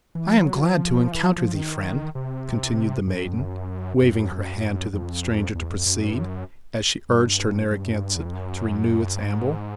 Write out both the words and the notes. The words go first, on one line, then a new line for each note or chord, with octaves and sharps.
"I am glad to encounter thee, friend," continued the maiden, waving her hand to the stranger to proceed, as she urged her Narragansett to renew its amble.
E3
F3
F#3
F3
E3
F3
F3
D#3
C3
G2
F#2
F2
F#2
F#2
F2
F#2
F#2
F2
E2
F2
F#2
G2
F#2
G2
G2
F#2
G2
E2
F2
F#2
G2
G#2